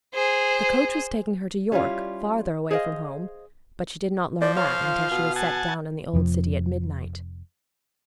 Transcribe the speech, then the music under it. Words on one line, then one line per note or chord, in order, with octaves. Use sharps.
The coach was taking her to York, farther away from home; but she did not learn that until she was set down in the old city at midnight.
G#4 C5
G3 C#4 E4 F4
G#4 C5 D#5 F5
F3 D5
F4 C#5 F5
B2
F#5 G#5 A5
F1 F2 F3